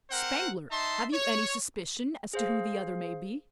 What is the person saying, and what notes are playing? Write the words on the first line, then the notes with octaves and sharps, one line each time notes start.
"Spangler! have you any suspicion as to who the other may be?"
C4 A#4 C5 F#5
D#4 E5 A5 C6
C#5
G#4 C5 F5